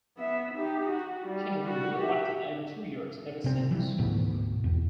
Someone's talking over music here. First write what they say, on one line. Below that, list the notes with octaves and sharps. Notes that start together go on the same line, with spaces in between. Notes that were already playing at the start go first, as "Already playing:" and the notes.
She has been re-elected every two years ever since.
B3 E5
D#4 G4
F#4
G3
F#4
G4 E5
C3 C4
E3 F3 G3
D2 G#2 B2 B3
E2